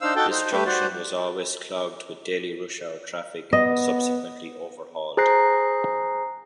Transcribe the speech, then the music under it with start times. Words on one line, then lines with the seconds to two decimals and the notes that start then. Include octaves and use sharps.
This junction was always clogged with daily rush hour traffic and was subsequently overhauled.
0.01 D4 D#4 C5 F5 E6
0.16 D#4 F#4 A4 G5 A5
0.30 D#4 C5
0.52 A3 G4 B4
0.66 F#4 C5 D5
3.53 B3 D#5
5.17 G#4 C5 A#5 F#6 A#6 C7